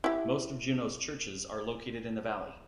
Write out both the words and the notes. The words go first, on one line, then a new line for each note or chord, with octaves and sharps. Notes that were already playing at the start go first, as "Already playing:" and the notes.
Most of Juneau's churches are located in the Valley.
E4 G4